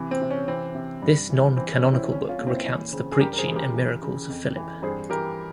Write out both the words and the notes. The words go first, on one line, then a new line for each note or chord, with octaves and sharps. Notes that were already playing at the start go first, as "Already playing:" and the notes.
This non-canonical book recounts the preaching and miracles of Philip.
Already playing: C3 E3
C4
C3
C#4
E3 C4
C3
G2
E3
E3 C4
C#4
C3
C4 E4
C2 C#4
C#4 F4
A#2
C4 E4
E3 C#4
C#3 C4
G#4
G2 G4 A#4
A#4
G#4 C5
E3
G#4
G4 A#4
E3
C#3
F2
E3
G2 G#4 C5
E3 G4 A#4